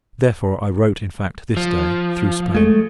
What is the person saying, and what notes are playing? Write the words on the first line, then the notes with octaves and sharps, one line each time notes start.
Therefore, I wrote, in fact, this Day, through Spain.
F3
G#3 A3